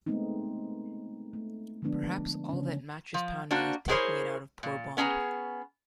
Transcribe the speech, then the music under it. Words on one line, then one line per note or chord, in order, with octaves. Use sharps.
Perhaps all that mattress pounding is taking it out of poor Bond.
G#3 A3 B3 C4 D#4
A3
D3 F3 G#3 B3 D4
C#3 C#4
F3
A#3 D4 F#4 C5
B3 E4 G#4 A#4 C5 C#5
A#2
B3 C#4 G#4 G#5 A#5